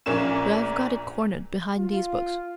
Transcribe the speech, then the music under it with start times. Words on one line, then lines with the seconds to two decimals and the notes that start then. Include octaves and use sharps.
But I've got it cornered behind these books.
0.06 A#1 A#2 A#3 C#4 E7
1.77 F4